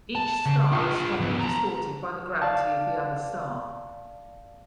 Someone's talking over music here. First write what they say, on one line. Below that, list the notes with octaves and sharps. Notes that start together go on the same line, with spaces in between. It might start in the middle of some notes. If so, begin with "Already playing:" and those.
Each star is strongly distorted by the gravity of the other star.
A5
C#3
D4 F4
F3 B3
A5 A#5
D5 F5 A5